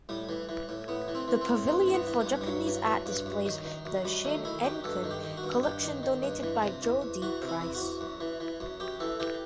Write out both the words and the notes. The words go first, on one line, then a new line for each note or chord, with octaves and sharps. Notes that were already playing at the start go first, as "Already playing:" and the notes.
The Pavilion for Japanese Art displays the Shin'enkan collection donated by Joe D. Price.
A2 G3
E3
E3
A2
A2 B3
E3
C4
E3
C4
A2
G2 C4
E3
B3
E3
G3
G2
G3
G2 F#3
E3
E3
G2
F#2
D#3
D#3
F#2
F#2 G3
D#3 A3
D#3 E4
F#2 G4
G2 A4
D#3
G4
D#3
F#4
G2
G2 G4
D#3
D#3
G2
E3
C3
E2
E2
E3 F#4
C3
E4
E2
F#4
E2
F#2
E3
E3
F#2
F#2 G4
E3 A4
E3 G4